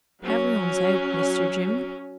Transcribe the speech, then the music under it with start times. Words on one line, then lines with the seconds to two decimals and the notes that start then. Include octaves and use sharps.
"Every one's out, Mr. Jim."
0.22 F#3 C#4